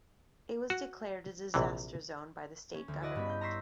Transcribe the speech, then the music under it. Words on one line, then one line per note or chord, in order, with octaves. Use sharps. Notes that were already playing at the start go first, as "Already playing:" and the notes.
It was declared a disaster zone by the State Government.
F#4
A#1 C3 E3
C#4
D2
E4 F#4 D5 D#5 F#5
G2 B3 C#4 B5
G6
A#5 C6 C#6 E6 B6 C7